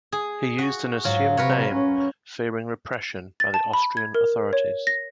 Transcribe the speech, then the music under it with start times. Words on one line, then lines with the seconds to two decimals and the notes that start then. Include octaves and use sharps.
He used an assumed name fearing repression by the Austrian authorities.
0.12 G#4
0.58 F#4
1.04 G#2 F#3 F4
1.37 C3 A#4 B4 C#5
1.72 C#4
3.40 A6
3.54 A5
3.74 B5
3.97 G#6
4.15 A#4
4.53 C#5
4.87 A#6